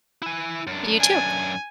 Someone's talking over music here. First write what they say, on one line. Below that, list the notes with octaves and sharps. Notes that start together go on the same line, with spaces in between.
You too.
E4 G#5
F#2 D4
G#5